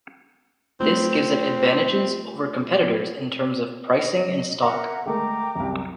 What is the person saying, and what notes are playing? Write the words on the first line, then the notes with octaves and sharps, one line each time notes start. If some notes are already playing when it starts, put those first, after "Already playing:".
This gives it advantages over competitors in terms of pricing and stock.
A3 C4 F4
D#5
A#4 E5 F#5 A#5
G#3 A3 A#4 G5 A#5 D6
C2 F#2